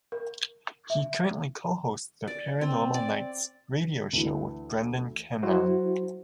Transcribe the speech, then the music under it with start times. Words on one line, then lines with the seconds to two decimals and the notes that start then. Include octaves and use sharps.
He currently co-hosts the "Paranormal Nights" radio show with Brendan Keenan.
0.12 A#4
0.90 E5
2.27 D5
2.61 C4
2.94 D5
4.13 D2 E3
5.43 F#3 E4 F#4 C5